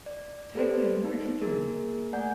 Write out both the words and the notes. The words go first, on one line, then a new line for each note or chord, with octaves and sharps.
Ten men were injured.
D5
G4 A4 B4 C5 D5
D#4
A#3 G#4 A#4
A3 D5 F#5 G#5 G6